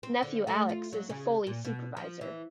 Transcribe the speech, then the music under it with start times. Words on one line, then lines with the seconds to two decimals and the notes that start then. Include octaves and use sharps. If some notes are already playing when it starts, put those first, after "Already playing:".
Nephew Alex is a foley supervisor.
0.03 C4
0.23 D3
0.47 A3
0.69 F4
0.93 F#3
1.09 C#3
1.47 A#2
1.65 B2
1.97 F3
2.21 E3